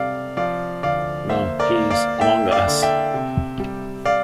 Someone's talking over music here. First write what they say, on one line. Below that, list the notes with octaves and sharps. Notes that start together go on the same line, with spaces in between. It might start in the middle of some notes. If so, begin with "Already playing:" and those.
Now he is among us.
Already playing: C3 G3 D5 F5
F3 D5 F5
D2 D5 F5
A#3 C5 E5
A#4 D5
A#3
D5 F5
A#3 E5 G5
D5 F5
D3
E5 G5
C3
G3
D5 F5